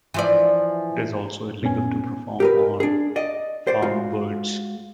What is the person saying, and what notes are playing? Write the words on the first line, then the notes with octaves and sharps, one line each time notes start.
It is also illegal to perform on farmed birds.
E3 F3 D5
F#2 A#2 B3 C#4 G#5
G4 A#4 B4
D4 G#4
D5 D#5
C5 D5
G#3 F4 F#4